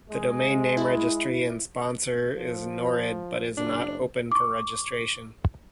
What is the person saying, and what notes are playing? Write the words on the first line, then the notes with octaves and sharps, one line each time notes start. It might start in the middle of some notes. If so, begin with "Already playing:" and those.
The domain name registry and sponsor is Norid, but is not open for registration.
G#3
E4
F3
F#1 D4
C#6 D6